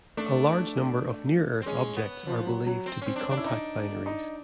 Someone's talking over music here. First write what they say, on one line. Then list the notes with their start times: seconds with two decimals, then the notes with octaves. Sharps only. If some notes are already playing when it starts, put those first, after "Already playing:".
A large number of near-Earth objects are believed to be contact-binaries.
0.17 A3 D4
0.48 A3
1.62 C4
1.66 G#3 C#4
1.97 B3
2.27 F3
2.47 F#3
2.66 F#3
2.86 C4
3.02 C4 C#4
3.16 D4
3.26 C#4 D4
3.37 E4
3.46 D#4
4.06 D#4